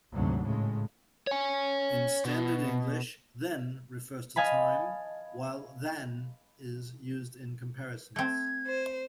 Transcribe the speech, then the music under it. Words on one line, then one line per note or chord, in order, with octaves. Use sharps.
In standard English, "then" refers to time, while "than" is used in comparisons.
G#1 D2 C3 F#3
A2 C#3 G#3
C#5 G#5
B2
D#5 F5 G#5 A5 B5
A3 C4 G#6
C5